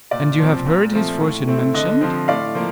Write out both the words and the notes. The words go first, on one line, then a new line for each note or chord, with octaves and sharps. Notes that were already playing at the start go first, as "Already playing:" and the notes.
"And you have heard his fortune mentioned?"
A#2 D5
F3 C4
A#2
F3 A3 C4
A2
A3 C4
D3 D#5
F3 C4
A2 D5 F5
F3 A#3